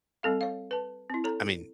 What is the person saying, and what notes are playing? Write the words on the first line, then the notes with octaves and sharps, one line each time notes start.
I mean,
G3 C4 A4 F5
C#5 F5
B4 A5
C4 E4
A4 C#5 A#5